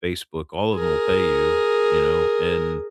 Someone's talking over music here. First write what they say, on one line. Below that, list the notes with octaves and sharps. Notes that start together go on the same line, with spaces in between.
Facebook, all of them will pay you, you know, and
G#4 A#4